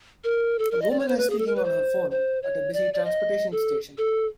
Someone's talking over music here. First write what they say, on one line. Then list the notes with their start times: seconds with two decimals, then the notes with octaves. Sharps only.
A woman is speaking on her phone at a busy transportation station.
0.24 A#4
0.59 A4
0.71 A#4
0.82 D#5
0.91 D5
0.99 C#5
1.08 C5
1.18 B4
1.30 G#4
1.39 A4
1.47 A#4
1.56 B4
1.64 C5
2.11 C5
2.43 C#5
2.74 D5
2.94 D5
3.05 D#5
3.52 A4
3.98 A4